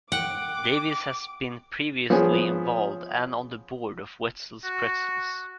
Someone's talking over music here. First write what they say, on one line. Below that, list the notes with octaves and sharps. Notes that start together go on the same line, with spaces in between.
Davis has been previously involved and on the board of Wetzel's Pretzels.
F#5 G5 D6
F3 B3 C#4 G#4
F#4